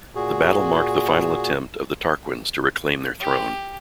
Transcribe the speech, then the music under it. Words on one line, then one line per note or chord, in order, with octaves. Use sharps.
The battle marked the final attempt of the Tarquins to reclaim their throne.
A#2 F#4 G#4
G4